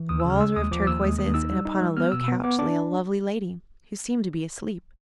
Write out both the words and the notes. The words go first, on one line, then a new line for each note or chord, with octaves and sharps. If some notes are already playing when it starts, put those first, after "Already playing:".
The walls were of turquoises, and upon a low couch lay a lovely lady, who seemed to be asleep.
Already playing: E3
D#2 D#6
E6
C#3 F6
G#3 E6
D#2 D#6
F3 D6
D#2 E6
G#3 D#6
D#2 D#6
D#4 E6
G3
D#4
G3
B3 F6
B2 E6
B3
B3 D6
D4 D6